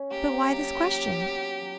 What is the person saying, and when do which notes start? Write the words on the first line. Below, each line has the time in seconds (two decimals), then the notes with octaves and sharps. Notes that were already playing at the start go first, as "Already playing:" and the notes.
"But why this question?"
Already playing: C#4
0.11 A#3 G4
0.49 F#3
0.86 F#3
1.23 B3
1.61 F#3